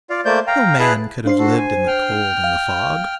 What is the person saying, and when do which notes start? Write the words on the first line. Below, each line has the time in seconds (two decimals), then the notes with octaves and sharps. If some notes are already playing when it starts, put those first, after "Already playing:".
No man could have lived in the cold and the fog.
0.10 F4 D5 F5
0.25 A3 A#3 C5 D5 G6
0.47 F5 G5 A#5
0.79 E4 G#4 B4 A5 F#6
1.25 D4 C5 F5 C7
1.38 F#4 A4
1.58 G#5
1.87 G5 F6
2.44 F5